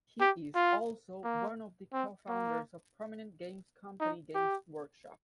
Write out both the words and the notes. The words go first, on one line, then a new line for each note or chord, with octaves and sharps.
He is also one of the co-founders of prominent games company Games Workshop.
G4
F4
A#3
C4
A#3
D#4
G4